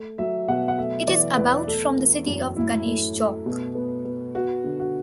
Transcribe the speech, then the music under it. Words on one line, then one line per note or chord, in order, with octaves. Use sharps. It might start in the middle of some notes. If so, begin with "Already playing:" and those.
It is about from the city of Ganesh Chowk.
Already playing: A3
F#3 E5
B2 F#5
F#5
A3 E5
E3 D5
E2 B4
A3 A4
E3
F#2
A2 E4
A3
A3
B2
B3
B3
B3 F#4
D3
F#4